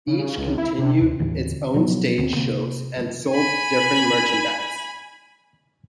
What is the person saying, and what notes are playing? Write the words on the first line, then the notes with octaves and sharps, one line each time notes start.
Each continued its own stage shows and sold different merchandise.
C#3
C#2
E4
C3
D2
D#2 A2 D3 E3
B2 F3 F#3 B3
D2 C4 C#4
C3 A#3
G#5 B5